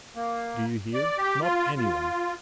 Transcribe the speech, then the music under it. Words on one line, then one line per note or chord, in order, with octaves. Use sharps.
Do you hear, not any one!
A#3
D5
G4
F4
F4